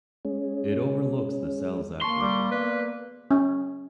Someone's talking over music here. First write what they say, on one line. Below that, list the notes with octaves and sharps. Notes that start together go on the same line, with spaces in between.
It overlooks the Salzach river.
G#3 C#4
A#3 A5 C6 C#6
G3 D6
B3 B4 D5
C#4